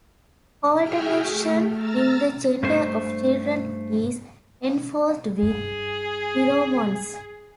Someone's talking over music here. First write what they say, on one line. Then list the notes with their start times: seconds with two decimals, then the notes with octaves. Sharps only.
Alternation in the gender of children is enforced with pheromones.
0.80 F#4 G#4 E5 G5 F6
1.23 A3
1.73 A#5 E6 F6 A6
2.63 G2 A3 C5
5.42 G2 G#4